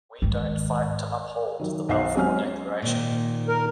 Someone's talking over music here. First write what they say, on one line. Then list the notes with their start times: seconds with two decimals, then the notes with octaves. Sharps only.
We don't fight to uphold the Balfour Declaration.
0.22 G#2 D#3
1.59 D#3 F#3
1.89 B1 C5 F5 F#5 C7
2.15 F#3 G#3 C#4 G#5 F6
2.82 A#2 D#3
3.48 A#4